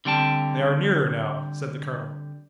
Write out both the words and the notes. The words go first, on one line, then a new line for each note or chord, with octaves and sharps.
"They are nearer now," said the Colonel.
D3 G3 C4 G5 A5